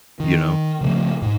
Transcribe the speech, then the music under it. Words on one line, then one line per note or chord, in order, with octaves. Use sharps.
You know?
D#3
C#3 F3 G3 A3
G#2